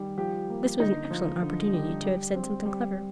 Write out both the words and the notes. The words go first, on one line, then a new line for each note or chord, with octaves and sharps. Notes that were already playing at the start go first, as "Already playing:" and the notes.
This was an excellent opportunity to have said something clever.
Already playing: D#3 G3
F3 G4
A#3
D3 D#4
F3
D3
G3
G3
C4
G3